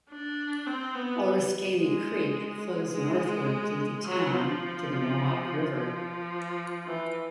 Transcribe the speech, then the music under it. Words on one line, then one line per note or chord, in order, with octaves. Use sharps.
Oriskany Creek flows northward through the town to the Mohawk River.
D4
C4
B3
G#3
G#3
F#3
F3
F3
E3